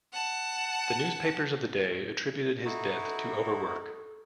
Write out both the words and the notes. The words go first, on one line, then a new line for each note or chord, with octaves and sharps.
The newspapers of the day attributed his death to overwork.
F#5 A5
D#4 E4 F#4 A4